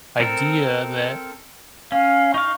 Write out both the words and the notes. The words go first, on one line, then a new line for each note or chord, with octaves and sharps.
idea that
C4 A4 A#4
C#4 F5
D#4 F5 C#6